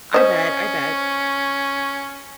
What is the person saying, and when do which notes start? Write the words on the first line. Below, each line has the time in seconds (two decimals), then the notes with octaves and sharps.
I bet, I bet.
0.14 C#4 C5 D#5